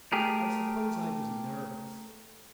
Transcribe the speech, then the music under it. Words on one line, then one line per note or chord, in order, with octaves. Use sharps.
I suppose I was nervous.
A3 G4 G#4 A#4